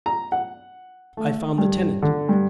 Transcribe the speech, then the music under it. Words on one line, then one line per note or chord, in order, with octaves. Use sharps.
I found the tenant.
A#5
F#5
A3
G2
D3
G2